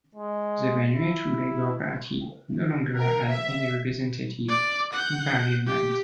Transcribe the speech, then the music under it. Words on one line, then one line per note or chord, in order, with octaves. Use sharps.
The Vanuatu Labor Party no longer has any representatives in Parliament.
G#3
E4
A#4
E5
D5
F#5 G6
G4